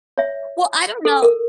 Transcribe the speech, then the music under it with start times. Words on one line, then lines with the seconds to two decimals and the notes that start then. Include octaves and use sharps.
Well, I don't know
0.18 C#5 E5
1.05 A4
1.22 A#4